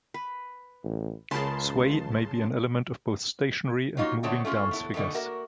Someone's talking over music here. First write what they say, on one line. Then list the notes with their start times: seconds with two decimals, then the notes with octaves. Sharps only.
Sway may be an element of both stationary and moving dance figures.
0.14 B4
0.84 A1
1.31 C#2 C#3 G#4 A#4 B4 A5 C6
3.97 F#3 A#3 D#4 F4 F#4
4.23 D3 A3 B3 C4 C#5 A5
4.45 A3 C#4 F4 G#4
4.71 B3 E4 A4
4.94 B2 D3 E3 A3 B3
5.15 A#3 F#4 A#4 E5